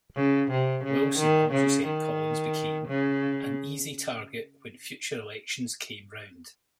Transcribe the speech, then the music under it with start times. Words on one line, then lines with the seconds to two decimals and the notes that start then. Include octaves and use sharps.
Wilson also said Collins became "an easy target when future elections came round".
0.16 C#3
0.51 C3
0.84 C#3
1.19 D#3
1.52 C#3
1.86 D#3
2.88 C#3